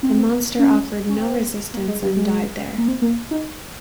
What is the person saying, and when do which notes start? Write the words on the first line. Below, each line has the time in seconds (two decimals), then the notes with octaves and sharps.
The monster offered no resistance and died there.
0.03 C4
0.59 C#4
1.09 C#4
1.17 C4
1.74 A#3
1.88 G#3
2.02 G3
2.16 G#3
2.78 A#3
2.88 C4
3.02 A#3
3.31 D#4